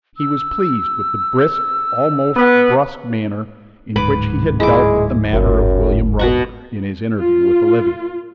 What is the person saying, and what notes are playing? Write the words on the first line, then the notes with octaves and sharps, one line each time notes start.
He was pleased with the brisk, almost brusque, manner in which he had dealt with the matter of William Roper, in his interview with Olivia.
E6
B3
D1 G#2 B4 B5 D6
G#3 E4 D6
G1 F#2
B2 F#5 C#6
F4